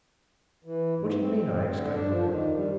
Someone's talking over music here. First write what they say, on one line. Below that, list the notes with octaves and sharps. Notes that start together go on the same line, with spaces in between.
"What do you mean?" I exclaimed, in wonder.
E3
G#2
C4
D3
D4
F3
D#3
G3